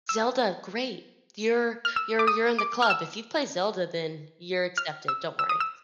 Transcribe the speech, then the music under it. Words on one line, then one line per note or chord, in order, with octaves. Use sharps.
Zelda, great. You're you're you're in the club. If you play Zelda, then you're accepted, don't worry.
E6
F6
E6
D6
D#6
D6
F6
E6
F6
E6
E6
D#6
E6